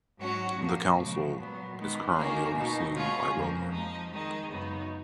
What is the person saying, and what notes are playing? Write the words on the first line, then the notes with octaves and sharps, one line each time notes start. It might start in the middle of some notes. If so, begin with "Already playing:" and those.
The council is currently overseen by Rolland.
G#2 F#3 C#4 F#4
A#2 F3 A#3
C#3 F3 G#3
A#2 F#3 B3
D#3 G#3 B3 D#4
D#3 A#3 C#4 G#4
B2 A#3 D#4
B2 G#3 C#4 F4 G#4
F2 F3 A#3
F3 G#3 D#4
D#3 G#3 D#4 G#4
F#2 C#3 G#3 B3 D#4